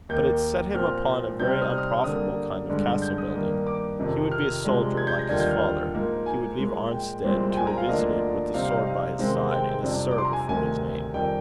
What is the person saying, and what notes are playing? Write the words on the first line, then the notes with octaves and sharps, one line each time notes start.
But it set him upon a very unprofitable kind of castle-building: he would be a soldier like his father; he would leave Arnstead, to revisit it with a sword by his side, and a Sir before his name.
D#2 D#3 A#3 G6
A#2 F3 C4 F4 F6
C3 G3 C4 D#4 G6
F6
D#6
F6
D#6
D3 G3 A#3 D#6
G2 D3 G#3
G6
D#6
G2 D#3 A#3
D6
F2 C3 D#3
F6
C3 F3 G#3 D4
G#6
G6
A#6
D#2 D3 G3 D4 F4 G#6
G6
F6
G#2 F3 A#3 D#4
G#5
A#2 F3 G#3
G5
C2 A#2 G#3 C4
G5
G#5
A#5
F5
D2 D3 F3 A#3 D4 D#5
C3 G3 C4 D#4 F5
F5
D#5
F5
C3 D#3 G#3 C4 D#4
G5
F2 C3 G3 D4
D6
C6
A#5
G#5
D2 C3 D#3 G#5
F2 D#3 G3 G5